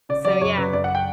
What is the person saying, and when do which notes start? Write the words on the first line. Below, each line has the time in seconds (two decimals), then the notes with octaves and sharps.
So, yeah.
0.09 C#3 D5
0.25 F#3 D5
0.41 F#2 C#5
0.57 C#3 B4
0.73 F#2 D5
0.84 F#5
0.95 G5